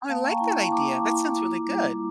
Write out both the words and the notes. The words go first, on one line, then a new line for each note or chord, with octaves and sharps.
Oh, I like that idea. That sounds really good.
A#3 F5 A5
C#6
G5 A#5
E4
A5 C#6
A#3 A#5 D6
E4
F4
G3